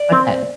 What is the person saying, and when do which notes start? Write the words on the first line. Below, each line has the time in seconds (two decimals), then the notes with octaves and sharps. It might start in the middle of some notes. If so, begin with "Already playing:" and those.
What's that?
Already playing: D5
0.12 C4